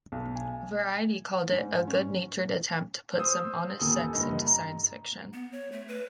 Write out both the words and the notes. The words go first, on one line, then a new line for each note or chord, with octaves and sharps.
"Variety" called it "a good-natured attempt to put some honest sex into science-fiction".
B1
G#5
G#2
C#4
C5 D#6 E6
D#1 A#2 A4 D#6
F#1 G2 D#5
A#5
B3
C#5
A3
B4